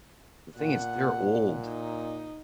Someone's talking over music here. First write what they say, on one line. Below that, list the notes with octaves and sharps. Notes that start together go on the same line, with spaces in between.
the thing is they're old,
A#2 F#5
D#4